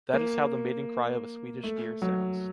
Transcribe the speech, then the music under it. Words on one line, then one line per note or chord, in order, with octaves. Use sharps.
That is how the mating cry of a Swedish deer sounds.
A#3
A3
F#3